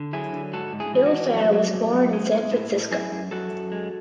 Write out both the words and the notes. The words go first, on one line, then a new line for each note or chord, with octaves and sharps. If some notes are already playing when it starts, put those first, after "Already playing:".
Bill Fair was born in San Francisco.
Already playing: D3
F#3 E4 G#4
D3
G#2 F#4 A4
G#2
E4 G#4
E3 G#4
D4 F#4
E3
F#2
F#3
F#2
F#2
G#3
G#3
A2
A2
F#2 E4 G#4
F#2
F#2 F#4 A4
F#2
G#3